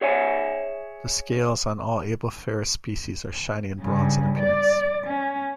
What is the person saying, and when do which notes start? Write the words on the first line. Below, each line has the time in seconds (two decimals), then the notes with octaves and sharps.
The scales on all "Ablepharus" species are shiny and bronze in appearance.
0.01 G#4 C#5 E5 G#5
3.81 G2 C#3
4.39 D5
5.07 C#4